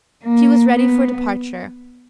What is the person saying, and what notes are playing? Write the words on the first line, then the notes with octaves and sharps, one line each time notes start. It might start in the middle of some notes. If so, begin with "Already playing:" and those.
She was ready for departure.
A#3
B3